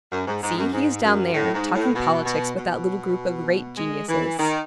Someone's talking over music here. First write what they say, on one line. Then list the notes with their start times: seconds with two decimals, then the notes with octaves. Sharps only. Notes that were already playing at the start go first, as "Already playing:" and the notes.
"See, he is down there, talking politics with that little group of great geniuses."
0.12 F#2
0.27 G#2
0.42 G#2
0.57 F#2
0.73 G#2
1.04 F#2
1.34 A2
1.54 G#2
1.75 A2
1.95 B2
2.25 B2
2.56 B2
3.77 G#3
4.09 E3
4.39 D#3